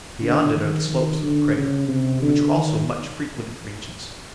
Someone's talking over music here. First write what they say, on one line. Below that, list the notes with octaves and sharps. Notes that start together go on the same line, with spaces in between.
Beyond it are the slopes of the crater, which are also much-frequented regions.
D3
D#3
D#3
D3
C#3
C3
D3
D#3